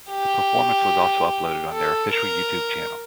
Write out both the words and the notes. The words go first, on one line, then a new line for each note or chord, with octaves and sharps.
The performance was also uploaded on their official YouTube channel.
G4
A4
A#4